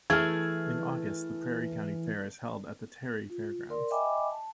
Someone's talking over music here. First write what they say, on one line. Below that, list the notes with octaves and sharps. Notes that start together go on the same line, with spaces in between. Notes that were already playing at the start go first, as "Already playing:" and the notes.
In August, the Prairie County Fair is held at the Terry Fairgrounds.
E3 A3 E4 G#4 F6 G#6
F4
A#4 D5 C6
D#5 E5 G5 G#5 B5 D6
A5